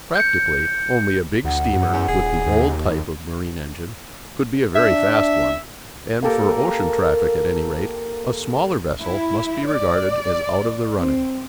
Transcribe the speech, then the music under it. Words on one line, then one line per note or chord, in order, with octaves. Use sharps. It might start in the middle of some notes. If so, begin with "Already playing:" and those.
Practically, only a big steamer, with the old type of marine-engine, could be a very fast one, and, for ocean traffic at any rate, a smaller vessel must be regarded as out of the running.
G6 C#7
D2 F#5
F#2
E2
D#1 G#4
D#2
D4 E5
A#3 G4 A4 A#4
E4
D5
C4